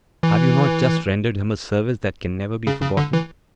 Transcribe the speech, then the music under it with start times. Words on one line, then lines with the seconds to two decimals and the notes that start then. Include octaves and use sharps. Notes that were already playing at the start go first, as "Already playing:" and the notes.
"Have you not just rendered him a service that can never be forgotten?"
0.23 E3
2.67 C#3
2.82 C#3
2.97 D3
3.13 E3